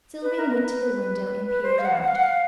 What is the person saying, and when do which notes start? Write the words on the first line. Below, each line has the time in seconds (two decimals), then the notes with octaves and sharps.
Sylvia went to the window and peered out.
0.22 B4
0.39 A#4
0.54 B4
1.46 B4
1.63 C5
1.78 F5
1.85 F#5
1.93 F5
2.01 F#5
2.08 F5
2.16 F#5
2.23 F5